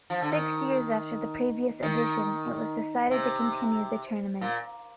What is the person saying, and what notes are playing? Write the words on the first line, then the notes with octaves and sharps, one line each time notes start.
Six years after the previous edition, it was decided to continue the tournament.
F3
D3
D#3
D#3
C3
A#2